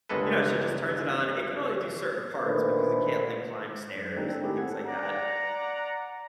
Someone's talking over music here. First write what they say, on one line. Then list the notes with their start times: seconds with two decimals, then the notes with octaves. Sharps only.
you know, she just turns it on. It can only do certain parts because it can't, like, climb stairs and things like that,
0.09 G1 C#2 G#3 A#3 A4 B4
2.43 A#2 D3 D#3 A3 B4 C5
3.96 F#2
4.15 D#3 G3 A#3 C4 D4 D#4
4.29 C4 D4 A4
4.43 D#3 A3 E4 G4 G#4
4.57 C4 A4 F#5 G#6
4.86 D5 F#5 A#5